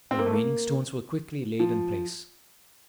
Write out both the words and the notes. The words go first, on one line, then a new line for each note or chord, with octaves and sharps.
The remaining stones were quickly laid in place.
C4
A#3
A3
A#3
F3